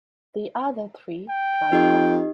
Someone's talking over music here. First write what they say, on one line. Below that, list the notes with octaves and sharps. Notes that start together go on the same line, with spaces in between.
The other three drive off.
G5
F2 D#4 G4 D#5